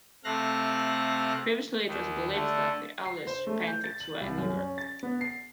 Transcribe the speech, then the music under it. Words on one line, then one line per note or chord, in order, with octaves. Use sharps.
Previously it was believed that the earliest paintings were in Europe.
C3 A3 F5 F#6 A#6
D#2 D#3
D3 A3
C7
C5
A3
G6
A6
F#7
C2
F#2
C#4
A6
B3
C7